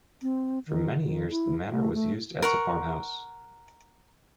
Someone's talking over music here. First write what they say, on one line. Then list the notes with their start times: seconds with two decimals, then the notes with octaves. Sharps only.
For many years the manor was used as a farmhouse.
0.22 C4
0.67 D#3
1.03 D#3
1.30 E4
1.71 A3
1.94 A3
2.42 A#4 F#5 C#6